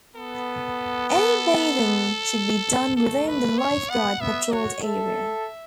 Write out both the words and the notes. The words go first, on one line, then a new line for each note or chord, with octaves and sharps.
Any bathing should be done within the lifeguard-patrolled area.
B3 A4
A4
A3 A4
B4
C#5
B3 F#5
B3 E5
F#4 C#5
A4 E5